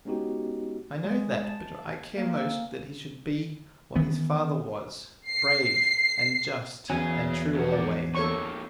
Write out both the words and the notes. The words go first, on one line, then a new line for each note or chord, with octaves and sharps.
"I know that, but I care most that he should be what his father was--brave and just and true always."
G#3 B3 C#4 D#4 F#4 G4
G#3
A5
G#5
A#3
E6
D#3 E3 B3
C7
E2 F#3 C#4 G#4 G#5
F2 F#4
D5
F2 A#3 A4 C#5 C#6